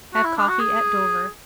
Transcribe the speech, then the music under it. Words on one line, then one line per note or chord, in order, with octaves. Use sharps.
Have coffee at Dover.
F#4
E4
D4
F#4
G#4